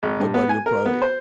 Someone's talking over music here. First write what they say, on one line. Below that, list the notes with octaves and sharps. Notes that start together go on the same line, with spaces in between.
Nobody will probably
G#1
G2
B3
G#5
A#4
B3
C5